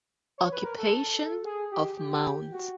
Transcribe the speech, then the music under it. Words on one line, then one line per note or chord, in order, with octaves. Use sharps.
Occupation of Mt.
C#5
B4
A#4
A4
G#4
G4
G4
F#4